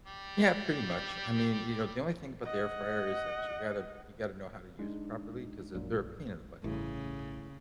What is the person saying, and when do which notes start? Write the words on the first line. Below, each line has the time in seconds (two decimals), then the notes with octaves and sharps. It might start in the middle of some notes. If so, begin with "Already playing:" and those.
Yeah, pretty much. I mean, you know, the only thing about the air fryer is that you gotta you gotta know how to use it properly 'cause, uh, they're a pain in the butt to
0.06 G3 G4
2.45 D#5 F#5
4.79 G#3 D4 D#4
5.75 A#1 F#2 A#2
6.64 A1 G2 C#3 A3 E4